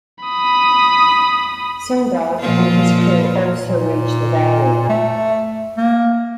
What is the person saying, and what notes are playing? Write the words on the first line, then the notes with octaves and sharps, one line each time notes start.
Sinbad and his crew also reach the valley.
B5 D#6
A#2 F3 F4
A#2
A3
A#3